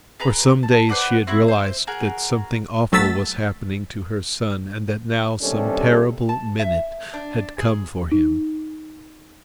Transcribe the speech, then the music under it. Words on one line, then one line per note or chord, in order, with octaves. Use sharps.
For some days she had realised that something awful was happening to her son and that now some terrible minute had come for him.
G#4 B4 A#5
A5
B4 C5 D5 F#5
C4 E4 F#4
C5
F#4 G#4 A#4
A#1 F#3 A3 E6 A6 B6
D#2 C3 G3 C#4 D4 A4
A5
E5
D4
G#4
D#4